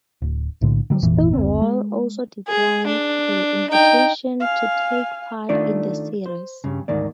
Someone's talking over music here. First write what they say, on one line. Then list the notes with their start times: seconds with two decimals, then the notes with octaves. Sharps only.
Stonewall also declined the invitation to take part in the series.
0.22 D1
0.61 B1 A2 D3
0.90 D3 F#3 G3
1.02 G#1 F2 A#2 E3
1.33 F#1 D2 C4
1.62 G#3
2.48 G#4
2.87 D4
3.70 D#4 G5
4.40 F5 G#5
5.49 D#3 A3 D4 F4 D5
6.26 C5
6.64 G2 C#3
6.88 D2 G#2 D#3 A#3 D5